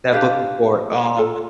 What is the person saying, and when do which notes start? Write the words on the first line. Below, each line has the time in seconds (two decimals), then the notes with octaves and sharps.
that book before, um
0.13 D4 G4 B4 F5
1.17 F4 A4